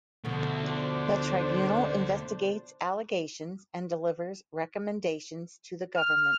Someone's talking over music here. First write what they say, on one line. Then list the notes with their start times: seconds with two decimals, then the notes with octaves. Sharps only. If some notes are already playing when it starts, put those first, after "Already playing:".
The tribunal investigates allegations and delivers recommendations to the government.
0.25 D2 B2 D3 F3
0.63 D4 C5
5.97 F6